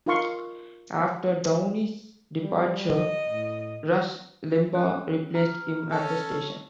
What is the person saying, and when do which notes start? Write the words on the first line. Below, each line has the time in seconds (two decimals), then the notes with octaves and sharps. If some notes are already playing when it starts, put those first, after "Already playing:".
After Downey's departure, Rush Limbaugh replaced him at the station.
0.06 D#4 F4 A#4 F5 C6 C#6
2.42 G3
2.88 D#5
3.29 A2
4.75 C#4 G#5 F#6
5.35 A#5 F6
5.92 C#4 A4 C#5 A5